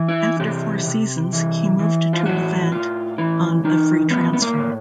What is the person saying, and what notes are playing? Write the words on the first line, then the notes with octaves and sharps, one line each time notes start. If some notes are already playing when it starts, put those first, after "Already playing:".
After four seasons he moved to Levante on a free transfer.
Already playing: E3
E4
C3 G4
C3
E3
E3
F4
A2 F#4
A2 F4
E3 E4
E3 D#4
A2 B3
B3
A#3
A2